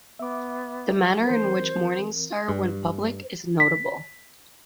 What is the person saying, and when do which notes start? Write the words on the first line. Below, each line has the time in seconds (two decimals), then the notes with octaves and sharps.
The manner in which Morningstar went public is notable.
0.19 B3 E5 D6
1.26 E3 C4 A#4 C5
2.48 G2
3.60 B6